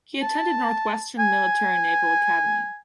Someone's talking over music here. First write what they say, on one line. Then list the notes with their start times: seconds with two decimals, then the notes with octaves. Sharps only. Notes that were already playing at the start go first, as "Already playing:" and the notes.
He attended Northwestern Military Naval Academy.
0.22 A5
1.19 G#5